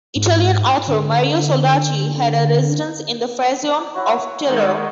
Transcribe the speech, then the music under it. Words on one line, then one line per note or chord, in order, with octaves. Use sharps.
Italian author Mario Soldati had a residence in the "frazione" of Tellaro.
G#2
D3
E4 F#4 C#5
D#3 G#3